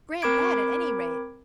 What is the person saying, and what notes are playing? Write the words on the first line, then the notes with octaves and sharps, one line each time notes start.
Grant that at any rate.
C4 A#4 B5 D6 G#6 D7